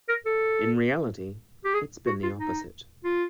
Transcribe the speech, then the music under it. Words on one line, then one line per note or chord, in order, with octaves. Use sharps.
In reality, it's been the opposite.
A#4
A4
G4
G#4
F#4
F4
D#4
F4